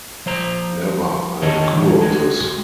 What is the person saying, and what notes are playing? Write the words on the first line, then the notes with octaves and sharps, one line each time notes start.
Never, I am cool on this.
F3 C5 A#5
D3 D#3 C#5 D#5 A5
A2 D3 E3 F#3
G#3 F#4